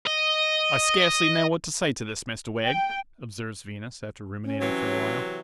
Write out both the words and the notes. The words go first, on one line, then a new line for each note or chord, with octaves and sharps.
'I scarcely know what to say to this, Mr Wegg,' observes Venus, after ruminating for a while.
D#5
G5
C#4
C3 E3 F#3